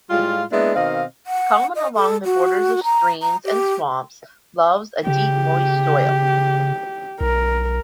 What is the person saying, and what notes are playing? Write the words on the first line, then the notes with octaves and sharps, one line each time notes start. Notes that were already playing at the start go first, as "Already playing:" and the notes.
Common along the borders of streams and swamps, loves a deep moist soil.
A2 G3 G#3 F4
G#3 A#3 B3 D4 E4 G#4
B2 D#3 C4 D#5 F5
F#5
D#5
A4
F#4
A#5
A#5
G4
C#3 G4
B1 A#4